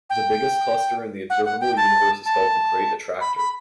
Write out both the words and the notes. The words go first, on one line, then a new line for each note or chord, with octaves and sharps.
The biggest cluster in the observable universe is called the Great Attractor.
G5
F#5
F#5
G5
A5
A5
B5
B5